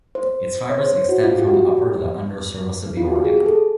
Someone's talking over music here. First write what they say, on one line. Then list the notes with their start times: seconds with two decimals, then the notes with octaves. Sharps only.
Its fibers extend from the upper to the under surface of the organ.
0.15 C5
0.69 C#5
0.78 C5
0.93 C5
1.09 F#4
1.24 F4
1.39 G4
1.47 F#4
1.54 G4
2.97 F4
3.07 F#4
3.16 G4
3.25 G#4
3.46 A4